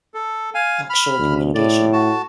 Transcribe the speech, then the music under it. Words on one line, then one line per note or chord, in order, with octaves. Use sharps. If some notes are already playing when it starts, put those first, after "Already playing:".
actual communication.
A4
F5 G#5
B5 F6
D2
A2 D5
F#4 A5